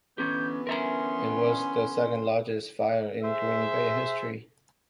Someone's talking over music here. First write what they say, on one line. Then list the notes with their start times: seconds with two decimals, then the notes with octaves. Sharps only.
It was the second largest fire in Green Bay history.
0.18 D3 E3 B3 C#4 G4 G6
0.67 C#4 A#4 E5 A#5 C6
3.22 G#4 C5 E5